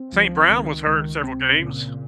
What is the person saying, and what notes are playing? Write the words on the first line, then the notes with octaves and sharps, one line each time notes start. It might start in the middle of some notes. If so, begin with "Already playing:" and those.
St. Brown was hurt in several games.
Already playing: C4
C#2 F3
C#2 D#3
C#2 D#3
C3 C4
A#2 C#3